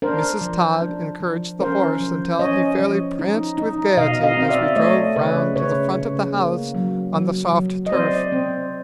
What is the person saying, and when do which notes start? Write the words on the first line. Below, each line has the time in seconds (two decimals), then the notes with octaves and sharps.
Mrs. Todd encouraged the horse until he fairly pranced with gayety as we drove round to the front of the house on the soft turf.
0.02 D4 A#4 C5
0.41 F3
0.82 D4
1.20 F3
1.60 C#4 A#4 C5
2.00 F3
2.39 C#4 C#5 D#5
2.79 F3
3.19 D#4
3.58 D#4
3.97 B2 D#5 F5
4.23 D#5 F5
4.37 C4
4.42 F5
4.50 D5 E5
4.76 A3 C#5 D#5
5.16 C#3 B4 C#5
5.56 C#3 B4 C#5
5.95 C#3
6.34 A#3
6.75 F#3
7.14 F#3
7.53 F#3
7.86 D#5
7.92 C4 C5 D5
8.32 C4